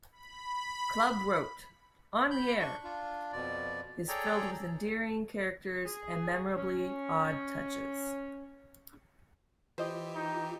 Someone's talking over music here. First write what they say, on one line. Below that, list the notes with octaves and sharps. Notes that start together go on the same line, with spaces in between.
Club wrote: "On the Air" is filled with endearing characters and memorably odd touches.
B5
B5 G6
D4 C#6
D4 F4
F2 B2 D5
G#4 A4 C#5 D5 G5 A#5
G#4
C#4
E3 F4 G4 C5 D#5
D#4